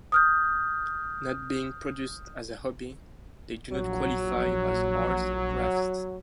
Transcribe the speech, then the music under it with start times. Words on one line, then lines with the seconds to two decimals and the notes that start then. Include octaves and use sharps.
Not being produced as a hobby, they do not qualify as arts and crafts.
0.12 D#6 F6 G6
3.72 A#1 F#3